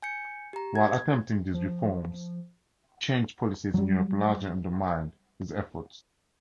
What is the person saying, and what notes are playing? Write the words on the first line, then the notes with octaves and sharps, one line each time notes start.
While attempting these reforms, changed policies in Europe largely undermined his efforts.
G#5 G6 C#7
G4 A#5
G#6
F3
F#3 G3